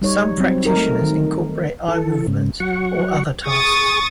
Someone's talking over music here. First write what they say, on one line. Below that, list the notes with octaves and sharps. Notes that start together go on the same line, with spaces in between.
Some practitioners incorporate eye movements or other tasks.
G3 D#4 C#5
F#3 C4
D#4 A#4
A3
D#3
E3 A4
G#2 C#3
F#3 F#5 C#6
G#4 C#6 D#6 A6